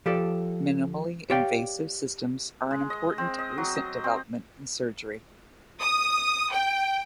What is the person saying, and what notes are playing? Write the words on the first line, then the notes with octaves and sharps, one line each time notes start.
Minimally invasive systems are an important recent development in surgery.
F3 G4 A4 D5
G4 C#5 D5 F5 G5
G#3
D#5
C4
D#5
F#3
D#5
C4
D#6
G5